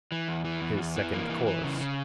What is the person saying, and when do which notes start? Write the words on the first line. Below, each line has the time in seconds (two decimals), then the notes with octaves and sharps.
His second course.
0.12 E3
0.28 E2
0.45 E3
0.62 E2
0.78 E2
0.96 E3
1.13 A#3
1.29 E3
1.47 E3
1.63 C#3
1.80 C#3